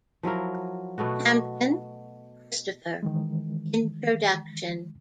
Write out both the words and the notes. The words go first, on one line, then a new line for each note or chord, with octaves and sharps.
Hampton, Christopher: Introduction.
F3 F#3 E4 A#4
B2 A3 B3 F#4
D#3 E3 G#3